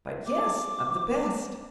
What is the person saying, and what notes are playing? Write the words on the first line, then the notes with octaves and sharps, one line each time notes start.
'But yes, of the best!'
D6